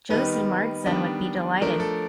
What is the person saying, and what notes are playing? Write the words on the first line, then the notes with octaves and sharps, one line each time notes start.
Josie Marsden would be delighted.
D#3 G3 B3 D#4 B4
D#3 G3 B3 D4
F3 A3 D4 A#4
A4